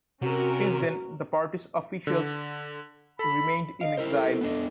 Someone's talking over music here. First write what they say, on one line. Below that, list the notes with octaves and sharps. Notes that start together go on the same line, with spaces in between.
Since then, the party's officials remained in exile.
C3 F#3 C#4 F#4 A#4
D3
A4 B5
D#5 F5
E4 A#4 C5
A4
B3 D4 D#5